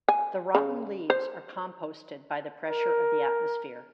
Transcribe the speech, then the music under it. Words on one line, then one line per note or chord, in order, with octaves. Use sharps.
The rotten leaves are composted by the pressure of the atmosphere.
G#5
C#3
C5
A#4